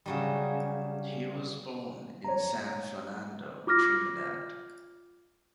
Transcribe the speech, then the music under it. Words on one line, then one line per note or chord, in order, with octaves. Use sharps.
He was born in San Fernando, Trinidad.
C#3 F#3 G3
C#5 A#5
F4 D6 F6 A#6